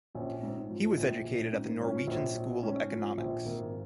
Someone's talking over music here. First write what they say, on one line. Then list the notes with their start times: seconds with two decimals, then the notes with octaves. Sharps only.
He was educated at the Norwegian School of Economics.
0.15 A#1 C#4
0.43 G#2
0.70 F3
0.97 A#1
1.24 A#1
1.53 G#2
1.68 A#3
1.81 F3 C#4
2.07 A#1
2.35 A#1
2.62 G#2 C#4
2.91 F3
3.17 A#1
3.45 G#1 A#3